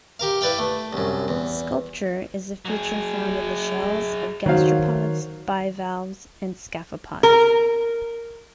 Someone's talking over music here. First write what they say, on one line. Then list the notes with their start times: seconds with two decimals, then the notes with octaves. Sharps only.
Sculpture is a feature found in the shells of gastropods, bivalves, and scaphopods.
0.20 G4 A#4 F5
0.41 E4 B4 D5 F5 G5
0.59 A3
0.93 C2 F#2
1.28 E2
2.65 F#3 G#4
4.46 D#3 F#3 F#4 C5 F5
7.23 A#4